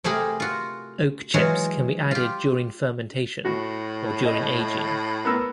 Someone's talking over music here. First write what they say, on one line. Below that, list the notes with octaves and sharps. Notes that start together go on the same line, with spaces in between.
Oak chips can be added during fermentation or during aging.
C3 A3 G4 G#4 A#4 B5
F4 F#4
E3 F#3 G#3 F4 F#4 C#5
F4 G4
A2 F#4
D#5
B3 A#4 E6